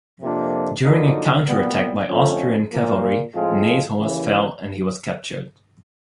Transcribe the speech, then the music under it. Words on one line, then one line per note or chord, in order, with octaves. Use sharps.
During a counterattack by Austrian cavalry Ney's horse fell and he was captured.
F2 C3 F3 A#3 D4
F#2 D3 F3 A#3 D#4
C2 A#2 G3 B3
F2 D3 F3 A3 C#4
A#2 F3 A#3
A2 F3 G#3 C4 F4
D#2 C#3 E3